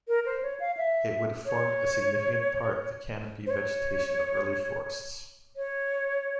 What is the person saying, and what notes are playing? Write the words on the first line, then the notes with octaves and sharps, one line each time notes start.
It would have formed a significant part of the canopy vegetation of early forests.
A#4
C5
C#5
F5
E5
C#5
C5
C#5
C#5